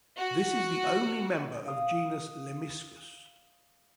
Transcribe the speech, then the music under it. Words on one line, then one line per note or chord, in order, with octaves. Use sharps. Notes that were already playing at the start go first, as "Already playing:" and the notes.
This is the only member of genus Lemmiscus.
F#4
F5 D#6